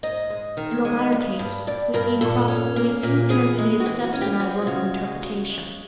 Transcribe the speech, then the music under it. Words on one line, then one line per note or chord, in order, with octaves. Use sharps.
In the latter case we need cross only a few intermediate steps in our work of interpretation.
G#2 D#5
G#3
D#3
G#3
G2
G2
G2 D5
G2 A#4
A#2 A4
C#4
A#3
A#2
E3 G#4
G#3
F#4
E3 G4
F#4
C#4
G4
F3 F#4
F4
C#3 F#4
G#3
C#3
G#3